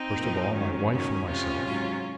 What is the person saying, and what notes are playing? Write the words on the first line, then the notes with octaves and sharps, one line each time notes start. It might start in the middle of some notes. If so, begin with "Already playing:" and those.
First of all my wife and myself.
Already playing: C4 D#4
A#2 F3
G#2 D#3 F#3 C#4
F#2 D#3 F#3 C#4
F2 C3 F3 C#4 F4
G#2 F#3